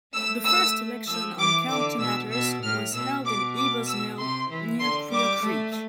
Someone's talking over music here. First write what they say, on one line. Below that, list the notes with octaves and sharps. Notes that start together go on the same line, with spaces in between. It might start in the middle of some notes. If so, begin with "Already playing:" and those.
The first election on county matters was held in Eby's mill near Queer Creek.
A3 E6
E6
F3 E6
E3 D6
D3 D6
B2 E6
B2 E6
A2 F6
B2 E6
B2 D6
D6
E6
C3 C6
E3
D3 C6
G3 D6
A3